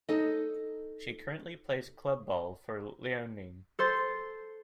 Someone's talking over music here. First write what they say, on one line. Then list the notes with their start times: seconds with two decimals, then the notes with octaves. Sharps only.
She currently plays club ball for Liaoning.
0.09 D#4 A4 D#5
3.79 A4 C5 C6 A6